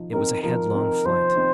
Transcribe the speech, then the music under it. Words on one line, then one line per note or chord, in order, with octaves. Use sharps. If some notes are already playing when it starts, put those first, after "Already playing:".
It was a headlong flight.
Already playing: F3 D#4
C4 D#4 A#4
F3 A#4
C4 D#4
F3 C5
C4 D#4